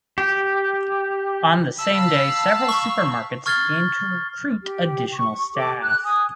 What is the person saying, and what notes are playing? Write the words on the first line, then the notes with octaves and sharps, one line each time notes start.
On the same day several supermarkets began to recruit additional staff.
G4
F5 A5 B5 E6
C#6
C#6 F6 G#6 A6 C7 G7
G4
C#6
G4 A4 D6
F#6
G#5 D#6